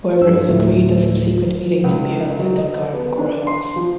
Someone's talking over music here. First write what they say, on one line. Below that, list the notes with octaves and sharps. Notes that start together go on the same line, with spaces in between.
However it was agreed that subsequent meetings would be held at Dungarvan Courthouse.
G2 E6
D2 A2 F#3 A3
C#2
F#3
D#5
B3
D4
C6
F3